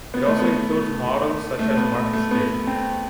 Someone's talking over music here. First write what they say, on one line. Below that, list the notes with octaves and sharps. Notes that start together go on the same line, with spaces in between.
It also includes models such as Marcus theory.
B3
A3
B3
A3
A3
B3
A3
A3
B3
C4